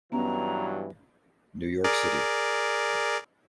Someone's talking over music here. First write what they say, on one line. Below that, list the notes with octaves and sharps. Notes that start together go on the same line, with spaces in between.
New York City.
G2 E3 F#3 B3 C#4 A#5
G#4 A#4 D5